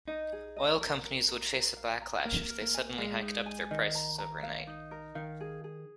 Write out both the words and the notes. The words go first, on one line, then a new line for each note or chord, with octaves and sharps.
Oil companies would face a backlash if they suddenly hiked up their prices overnight.
D#4 D#5
G#4
D#5
A#4
A#4
A#4
A#4
F5
A#5
A#3 A#4
A#4
A#3
G#5
G#3 F5
D#4
G#5
D#3 D#5
A#5
A#5
F5
D#4
A#4
D#3 F5
G#4
G#4